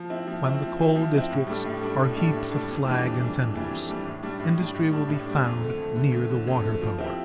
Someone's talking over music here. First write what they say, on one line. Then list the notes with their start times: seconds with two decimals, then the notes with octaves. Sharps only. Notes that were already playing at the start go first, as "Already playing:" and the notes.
When the coal districts are heaps of slag and cinders, industry will be found near the water-power.
Already playing: F3
0.10 C4 E4
0.27 F3
0.44 C4 E4
0.62 F3
0.79 C4 E4
0.96 F3
1.13 C4 E4
1.31 A2
1.47 G3 D4 A4
1.65 A2
1.81 G3 D4 A4
1.99 A2
2.16 G3 D4 A4
2.33 A2
2.51 G3 D4 A4
2.69 F2
2.85 E3 G3 D4
3.02 F2
3.20 E3 G3 D4
3.36 F2
3.54 E3 G3 D4
3.71 F2
3.89 E3 G3 D4
4.05 A2
4.23 G3 D4
4.39 A2
4.58 G3 D4
4.75 A2
4.91 G3 D4
5.08 A2
5.26 G3 D4
5.44 F2
5.60 D3 A3
5.78 F2
5.95 D3 A3
6.12 F2
6.30 D3 A3
6.47 F2
6.64 D3 A3
6.82 F3
6.98 C4 E4 G4